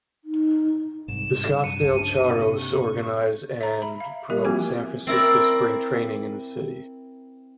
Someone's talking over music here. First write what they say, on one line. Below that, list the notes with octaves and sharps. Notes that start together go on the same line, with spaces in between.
The Scottsdale Charros organize and promote San Francisco spring training in the city.
D#4
C2 G#2 E7
G2 F#3 D4 C#7 D#7
C#2 C#3 A5 D#6 F6
C3 A#3 D4 D#4
C#6
E5 A#5
B5
F5
G3 E4 G4 A#4 E5
F3 A#3 C4 F4 F#4 G#5
C4 E4 A#4 D5